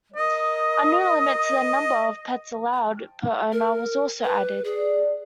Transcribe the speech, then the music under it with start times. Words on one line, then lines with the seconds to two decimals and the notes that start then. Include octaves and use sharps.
A new limit to the number of pets allowed per owner was also added.
0.16 A#4 D#5 D#6
2.73 F3 G5 A5
3.52 A#4
4.24 G4 B4
4.65 G3 D4 G#4